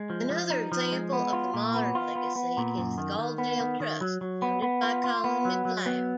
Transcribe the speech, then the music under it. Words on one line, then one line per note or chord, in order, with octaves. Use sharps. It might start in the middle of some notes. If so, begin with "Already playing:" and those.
Another example of the modern legacy is the "Gall-Gael Trust" founded by Colin MacLeod.
Already playing: G#3
F3
F3
D#4
F3
G#3
B3
F4
A#2
B3
F4
B3
B3
A#2
F#2
D#3
D#3
B3
D#3
D#3
F#3
F#3
B3
B3
F4
F4
B3
F#3
F#3
B3